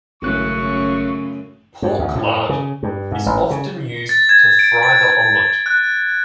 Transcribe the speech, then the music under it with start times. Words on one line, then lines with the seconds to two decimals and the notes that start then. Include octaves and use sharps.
Pork lard is often used to fry the omelette.
0.22 G#1 F#2 C#3 A3 C#6 F#6
1.82 G2
1.99 D2
2.15 A2
2.49 C#3
2.83 G2
3.12 G#2
3.26 A1
3.50 C#3
4.09 A6
4.29 G#6
4.59 D7
4.83 A6
5.66 F#6